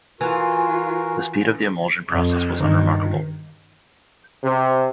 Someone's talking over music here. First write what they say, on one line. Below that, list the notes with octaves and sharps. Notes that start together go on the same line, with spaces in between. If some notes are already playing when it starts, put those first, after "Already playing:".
The speed of the emulsion process was unremarkable.
E3 F4 F#4 A#4 G#5
F2
G2 D#3
C3